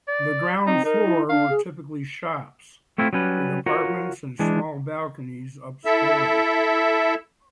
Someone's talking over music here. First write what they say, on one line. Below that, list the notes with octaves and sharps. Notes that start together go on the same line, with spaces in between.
The ground floor were typically shops, with apartments and small balconies upstairs.
D5
C4 D#4
D#4 A#4
E4
D4 F5
G#4
A3 C4 E4 F4
F#3 G3 C#4 B4
F4 F#4 A#4 C#5
E3 G#3 D4
E4 A4 E5